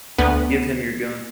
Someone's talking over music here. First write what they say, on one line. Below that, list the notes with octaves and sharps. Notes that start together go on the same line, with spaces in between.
Give him your gun.
D2 B3